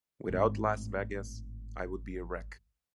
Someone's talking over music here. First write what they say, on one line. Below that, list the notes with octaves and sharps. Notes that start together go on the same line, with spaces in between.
Without Las Vegas, I would be a wreck.
G#1 A2